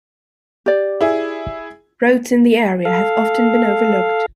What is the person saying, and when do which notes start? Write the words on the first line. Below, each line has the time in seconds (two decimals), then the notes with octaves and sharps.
Roads in the area have often been overlooked.
0.66 G4 D5
1.01 E4 G#4
2.85 A4 F5